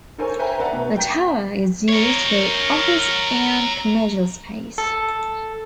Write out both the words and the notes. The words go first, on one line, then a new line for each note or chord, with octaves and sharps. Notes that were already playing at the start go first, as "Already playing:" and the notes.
The tower is used for office and commercial space.
A4 A#4 C5 C#5 G#5
B4 C5 E5 G5 G#5 A#5
B4 D5 E5 F#5 A5 A#5
B2
G5 A#5 G6 B6
A#4 C#5
A4